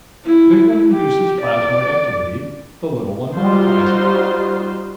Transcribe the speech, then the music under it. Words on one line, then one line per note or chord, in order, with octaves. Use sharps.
The big one induces plasmoid activity, the little one modifies it.
E4
G4
D5
G3 D#4 F4 F#4 C5 C6